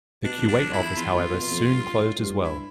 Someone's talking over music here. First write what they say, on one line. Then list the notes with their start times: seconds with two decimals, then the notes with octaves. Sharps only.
The Kuwait office however soon closed as well.
0.24 B2 D4
0.38 F2
0.42 G2
0.48 D4
0.60 F2
0.73 E4
0.79 E2
0.97 E2 F4
1.15 F2
1.34 B2
1.52 F2
1.71 G2
1.95 A2
2.19 G2
2.44 E4